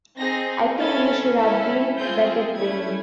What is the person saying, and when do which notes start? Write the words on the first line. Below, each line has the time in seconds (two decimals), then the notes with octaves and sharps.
I think we should have been better trained.
0.18 C4 D#4 G#4 A#6
0.77 C#4 E4 A4 A6
1.37 C#4 E4 A4
1.96 C4 F4 G#4 G6
2.56 A3 C#4 E4 G#6